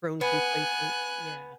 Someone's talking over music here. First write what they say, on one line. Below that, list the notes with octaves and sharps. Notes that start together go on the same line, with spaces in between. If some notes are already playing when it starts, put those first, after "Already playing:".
Grown complacent, yeah.
B3 G#5 F#6